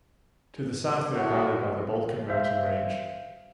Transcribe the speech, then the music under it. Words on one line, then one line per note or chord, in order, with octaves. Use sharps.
To the south they are bounded by the Balkan mountain range.
A2 F#4
C5 E5 F5